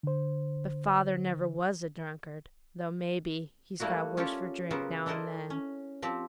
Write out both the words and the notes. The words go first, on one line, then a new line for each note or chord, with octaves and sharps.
But father never was a drunkard, though maybe, he's got worse for drink, now and then.
D3 C5
G3 A3 A#3 E4 F#4
C#4 F4 G4 A4 A#4 C#5
C#3 F#3 B3 A#4 C5
D4 E4 A4 A#4 C5 D#5
C#4
F3 C4 G4